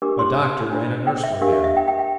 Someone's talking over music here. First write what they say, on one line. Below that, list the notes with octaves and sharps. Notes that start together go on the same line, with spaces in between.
A doctor and a nurse were there.
D4 G4 A#4 D6
C6
D4 F4 C5
G5
E5
D4 G4 A#4 F5
E5
E5
G5
G5
G5